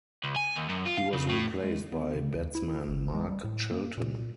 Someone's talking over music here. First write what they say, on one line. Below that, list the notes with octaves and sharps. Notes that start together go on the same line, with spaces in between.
He was replaced by batsman Mark Chilton.
C#2
G#5
D#2
F#2
F4
F5
C#3
A2
G#3
B3
C#3
D#2
E4
G1
G#3
G3
A2
A#3
A#2